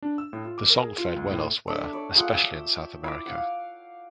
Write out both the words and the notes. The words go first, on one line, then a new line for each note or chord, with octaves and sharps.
The song fared well elsewhere, especially in South America.
D4
E6
A2
F4
D6
A#4
G#4
F4
C#2
A2
D4 A4 D5 E5
C#5 D5
G#3 F4 F#5
E5 G5
E4 D6
F5 F#5